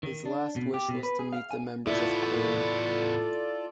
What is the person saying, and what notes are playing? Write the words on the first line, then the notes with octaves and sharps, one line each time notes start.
His last wish was to meet the members of Korn.
D#3
D4
B2
G4
B2
B4
G#4
F5
G#5
A2 B3 E4 F4 A4 D5